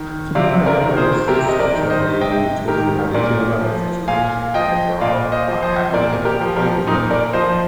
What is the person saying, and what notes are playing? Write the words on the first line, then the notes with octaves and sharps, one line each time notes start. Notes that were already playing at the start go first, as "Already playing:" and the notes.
So, what about your other sisters? Have they told you how they feel about the situation? I know you're all not happy with him and don't like him, but
Already playing: D#3
C3 D5 F5
A#4 D5
D#3
G#4 C5
C3 G4 A#4
D#5
A#4 D5
D#3
C5 D#5
C3 D#5 G5
D#3 G4 A#4
A#2 A#4 D5
F3
A#2 F5 G#5
F3 D#5 G5
A#2 D5 F5
C5 D#5
F3
C5 D#5
A#2 A#4 D5
G4 A#4
F3
G4 A#4
A#2 D#4
A#4 D5
F3 C5 D#5